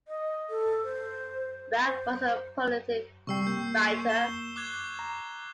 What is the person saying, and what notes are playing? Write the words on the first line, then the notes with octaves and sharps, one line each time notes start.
Wragg was a prolific writer.
D#5
A4
C5
C5
C3 G3 G5 C#6 E6 C7
A#3 G6
E7 G7
D6 F#6 G#6
A#5